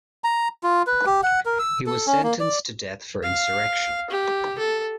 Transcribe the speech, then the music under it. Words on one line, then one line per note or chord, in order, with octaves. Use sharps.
He was sentenced to death for insurrection.
A#5
F4
B4
G4
F#5
A#4
E6
A4
C#4
A#3
D5
F5
G4
A4